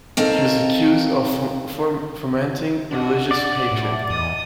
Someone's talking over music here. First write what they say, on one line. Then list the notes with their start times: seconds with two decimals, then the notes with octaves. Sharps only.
He was accused of fomenting religious hatred.
0.17 D#3 C4 A4 F5 A#5
2.91 D4 F#4 D#5
3.31 D5 F#5
3.71 A2
4.10 E2 D#5 D#6